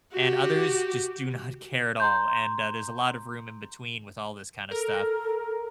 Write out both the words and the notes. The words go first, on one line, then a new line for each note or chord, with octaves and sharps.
And others just do not care at all, and, uh, there's a lot of room in between, with all this kind of stuff.
F#4 G4
A#5 C6 G6
A4 A#4